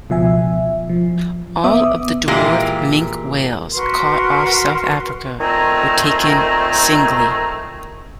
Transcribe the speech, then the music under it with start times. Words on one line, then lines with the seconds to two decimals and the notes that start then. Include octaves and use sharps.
All of the dwarf minke whales caught off South Africa were taken singly.
0.09 C#2 B2 F3 E5 G#5
0.89 F3
1.64 A1 B3 E5 D6 D#6
2.28 A#2 E3 G#3 A#3 G4 A#4
3.73 F#4 A#4 B4 C6
5.40 A#2 D#3 A3 C4 G#5 A#5